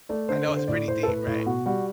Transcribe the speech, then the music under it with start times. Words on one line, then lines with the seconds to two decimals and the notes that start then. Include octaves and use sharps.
I know it's pretty deep, right?
0.09 A3 D5
0.29 D3 C5
0.48 D3
0.57 C5
0.68 A2 D5
0.88 A2 C5
1.03 A4
1.07 A2 B4
1.27 A2
1.46 B2 F#4
1.66 G3 F#4